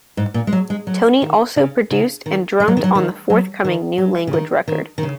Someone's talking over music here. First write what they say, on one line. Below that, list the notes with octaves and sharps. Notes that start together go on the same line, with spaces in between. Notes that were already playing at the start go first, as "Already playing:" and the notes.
Tony also produced and drummed on the forthcoming New Language record.
G#2
A#2
G#3
F#3
G#3
F#3
D#3
C#3
C#3
D#3
G#3
F#3
D#3
F#3
D#3
F#3
D#3
F#3
C#3
D#3
D#3
D#3
C#3